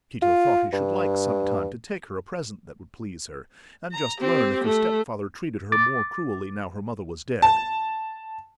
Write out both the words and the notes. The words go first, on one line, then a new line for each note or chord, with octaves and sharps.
Tito thought he should like some time to take her a present that would please her, and just learn if her step-father treated her more cruelly now her mother was dead.
F4
G2
A#5
C4 G4
A3
D6 A6
A5